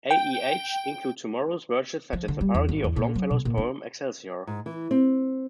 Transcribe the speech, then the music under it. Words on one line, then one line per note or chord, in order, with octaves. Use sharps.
"A. E. H." includes humorous verse such as a parody of Longfellow's poem "Excelsior".
G5
F3
D3
G3
E2
G#1
E2
A#2
F#3
B2
A#2
D4
G#2
E3
C4